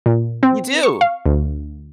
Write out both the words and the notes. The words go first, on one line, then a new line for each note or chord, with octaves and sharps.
You do.
A#2
C4
C#6
F5
D2